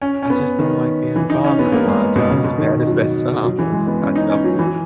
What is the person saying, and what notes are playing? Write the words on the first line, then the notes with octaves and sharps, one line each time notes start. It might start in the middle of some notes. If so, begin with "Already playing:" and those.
I just don't like being bothered a lotta times as bad as that sounds. I don't.
C#4
C#4
B3
D#3
E3
D#4
C#4
B3
A#3
G#3
B2
C#3
B2
D#3
F#3
F#3
E3
G#3
B3
C#4
D#4
C#4
F#3
E3